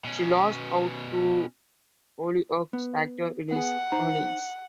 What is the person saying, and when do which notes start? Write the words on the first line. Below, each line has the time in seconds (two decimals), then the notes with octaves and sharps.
She lost out to "Hollyoaks" actor Ellis Hollins.
0.05 B2 C#4
2.73 B3
3.52 B3 G#4 F#5
3.92 D#4 C5 A#5